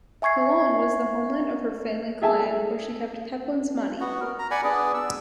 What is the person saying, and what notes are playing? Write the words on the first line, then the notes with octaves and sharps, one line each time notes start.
Cologne was the homeland of her family clan and where she kept Pepin's money.
E5 G#5 C#6 G#6 C7
G#4 A4 E5 G#5 A5
B3 F#4
A#4
A#5
D5 F#5 G#5 B5
B3 D4 G#4 D5
E6